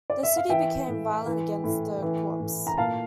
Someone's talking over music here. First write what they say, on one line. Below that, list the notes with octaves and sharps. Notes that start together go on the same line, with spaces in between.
The city became violent against the Copts.
D5
E5
F5
E3 E5 G5
A2
E3
A2
E3
A2
A#5
A#2 F5 A5